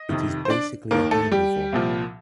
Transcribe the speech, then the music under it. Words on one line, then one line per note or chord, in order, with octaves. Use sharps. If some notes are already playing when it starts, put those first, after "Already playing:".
It is basically a herbivore.
Already playing: D#5
F2 C3 D#3
C5
D4 D5
D#2 D#3 A#3 A#4
A3 A4
G3 G4
C2 A#2 F3